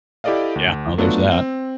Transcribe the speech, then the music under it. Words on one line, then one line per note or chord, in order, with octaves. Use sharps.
Yeah, well, there's that.
E4 G4 A4 D5 D#5 F5
D2
F#3 A3 B3 D4 F4 F#4
C4